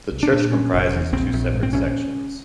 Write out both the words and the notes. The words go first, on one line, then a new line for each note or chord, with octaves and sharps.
The Church comprises two separate sections.
C2
D4
A#2
B2 C#4
F1
E2
A#1 C4
A#1
G#2
C4
A#1 C#4